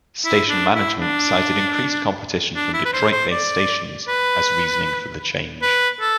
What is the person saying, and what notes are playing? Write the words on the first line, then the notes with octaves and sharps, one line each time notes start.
Station management cited increased competition from Detroit-based stations as reasoning for the change.
E4
D4
E4
D4
D4
E4
B4
C5
C5
D5
B4
B4
A4